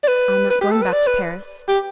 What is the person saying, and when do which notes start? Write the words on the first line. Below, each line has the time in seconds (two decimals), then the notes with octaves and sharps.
"I am not going back to Paris."
0.03 D5
0.08 B4
0.50 B4
0.61 G4
0.72 A4
0.82 B4
0.93 D5
1.07 B4
1.68 G4